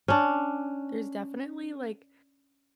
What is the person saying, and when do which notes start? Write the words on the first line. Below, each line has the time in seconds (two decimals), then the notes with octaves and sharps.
There's definitely, like,
0.08 C#4 D4